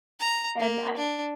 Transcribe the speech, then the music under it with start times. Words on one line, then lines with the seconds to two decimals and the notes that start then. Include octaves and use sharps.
and I
0.20 A#5
0.59 A#3
0.97 D4